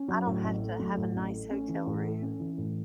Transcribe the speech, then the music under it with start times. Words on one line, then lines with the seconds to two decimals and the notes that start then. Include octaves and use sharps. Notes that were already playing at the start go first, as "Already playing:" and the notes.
I don't have to have a nice hotel room,
Already playing: C#4
0.08 F#3
0.26 A2
0.44 A1
0.62 A3
0.79 F#3
0.97 A2
1.15 A1
1.33 A3
1.51 C#4
1.68 E3
1.86 A2
2.04 A4
2.22 C#4
2.40 E3
2.58 A2